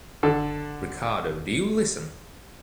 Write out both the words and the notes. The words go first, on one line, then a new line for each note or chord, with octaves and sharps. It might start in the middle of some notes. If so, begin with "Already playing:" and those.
Ricardo, do you listen?
F#1 D3 A4
E1